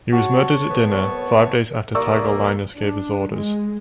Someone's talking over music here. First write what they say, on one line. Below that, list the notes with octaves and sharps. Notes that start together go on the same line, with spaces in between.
He was murdered at dinner; five days after Tigellinus gave his orders.
F#4 C#5 A5 C#6
C2 A2 B3
C2 A#3 D5 C#6 D#6 E6
D4
G#3